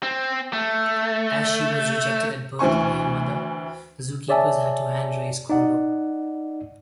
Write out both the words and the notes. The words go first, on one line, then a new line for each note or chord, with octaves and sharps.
As she was rejected at birth by her mother, zookeepers had to hand-raise Colo.
C4
A3
D2 E3 C4 G#5 C#6
G#4 C#5 D5 E5 G#5 A5
D#4 D5 F#5